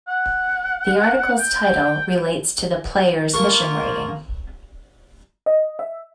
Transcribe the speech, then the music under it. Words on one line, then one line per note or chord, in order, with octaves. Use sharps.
The article's title relates to the player's mission rating.
F#5
G5
A#3 F4 A4 A#4 C#6
D#5
E5